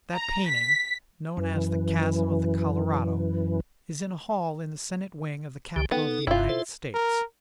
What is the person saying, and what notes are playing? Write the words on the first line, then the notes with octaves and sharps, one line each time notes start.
That painting, known as "The Chasm of the Colorado," is in a hall in the Senate wing of the Capitol of the United States.
A#5
B6
F#2 E3
C#2 D3 G4
B3 D#4 A4
F#1 G2 E4 F4
A4 C5
A#4